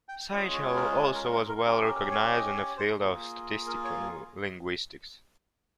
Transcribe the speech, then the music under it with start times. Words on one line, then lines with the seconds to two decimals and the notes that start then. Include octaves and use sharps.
Sichel also was well recognised in the field of statistical linguistics.
0.08 G5
0.31 G#3 C#4 F4 G#4
0.53 C#5
0.76 A#4
0.98 G#4
1.15 A#4
1.32 A#4
1.48 A#4
1.65 C#4 G4 A#4
1.87 A#4
2.11 C#5
2.33 D#5
2.55 C#5
2.77 C5
3.01 A#3 F4 G#4
3.67 A#4
3.84 C#5